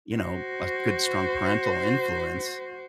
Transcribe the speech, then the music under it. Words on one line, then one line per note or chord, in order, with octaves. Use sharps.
you know, a good, strong parental influence
F#4 C5